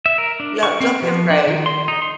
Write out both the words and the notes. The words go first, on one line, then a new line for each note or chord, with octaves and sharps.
Yeah, don't be afraid.
E5
A#4
D4
C#6
C4
F3
D4
D#3
C6
D#4
C6